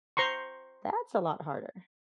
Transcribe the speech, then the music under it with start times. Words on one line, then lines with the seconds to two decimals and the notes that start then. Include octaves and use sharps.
That's a lot harder.
0.17 C5 A#5 C6 C#6